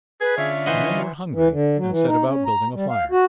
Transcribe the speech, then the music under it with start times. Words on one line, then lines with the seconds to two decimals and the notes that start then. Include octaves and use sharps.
The men were hungry and set about building a fire.
0.21 G#4 B4
0.38 D3 C#4 F4 E5
0.66 E3 C5 D#5 F#5
1.35 E3
1.51 D3
1.78 F#3
1.90 E3
2.07 D#4
2.27 C#4
2.45 A#5
2.75 G3
2.90 F5
3.11 F#4